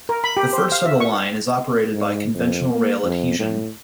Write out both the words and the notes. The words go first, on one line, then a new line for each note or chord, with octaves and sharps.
The first of the line is operated by conventional rail adhesion.
A#4
B5
G4
C5
F5
E5
C#6
G#2
F2
A#3
F2
A2